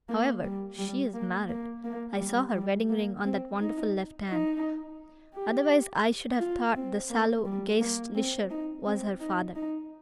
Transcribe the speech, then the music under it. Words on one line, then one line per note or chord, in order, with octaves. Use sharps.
However, she is married; I saw her wedding-ring on that wonderful left hand, otherwise I should have thought the sallow Geistlicher was her father.
A#3
G3
G3
A#3
A#3
A#3
G3
G3
A#3
C4
D#4
D#4
G4
F4
C4
A#3
G3
A#3
C4
D#4
C4
D#4
D#4